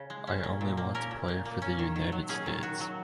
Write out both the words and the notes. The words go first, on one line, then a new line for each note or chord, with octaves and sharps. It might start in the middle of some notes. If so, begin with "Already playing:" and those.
I only want to play for the United States.
Already playing: C#3
G#3
C#4
A#2
A#2
A#3
C#4 A#4
A#2
A#2
A#3
C#4
D#3
D#3
F#3
C#4 G#4
D#3
D#3 F#4
F#3